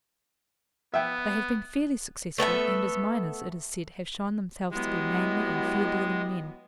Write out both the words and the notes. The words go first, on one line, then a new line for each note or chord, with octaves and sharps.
They have been fairly successful, and as miners, it is said, have shown themselves to be manly and fair-dealing men.
B3 E5 G5
A3 B3 A4 E5
F#3 G#3 B3 E4 G4 D#5